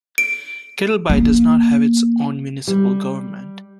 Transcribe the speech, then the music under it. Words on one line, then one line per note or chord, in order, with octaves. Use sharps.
Kettleby does not have its own municipal government.
D7
A#3
G3